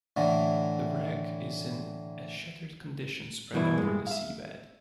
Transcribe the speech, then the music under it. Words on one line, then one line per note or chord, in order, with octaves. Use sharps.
The wreck is in a shattered condition spread over the sea bed.
A2 D3 E3
G2 B2 E3 D4 E4
G2 G#3
E5 F5